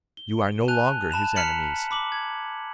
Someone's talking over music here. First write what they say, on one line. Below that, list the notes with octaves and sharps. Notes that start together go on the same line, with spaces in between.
You are no longer his enemies.
G7
G#5 A5 F#6 D#7 F7
A5 B5 E7 F7
A#5 B5 F6 B6 C#7 F#7
B5 D6 F#7
G#6